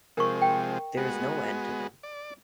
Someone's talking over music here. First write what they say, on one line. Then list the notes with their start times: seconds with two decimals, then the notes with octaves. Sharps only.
There is no end to them!
0.17 C3 F3 G#3 A#4 C#6
0.42 G5
0.97 G#3 B3 F#4
2.03 D5